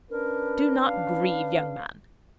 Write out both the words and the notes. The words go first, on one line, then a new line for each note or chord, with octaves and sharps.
'Do not grieve, young man!
C#4 D4 A#4 B4
F5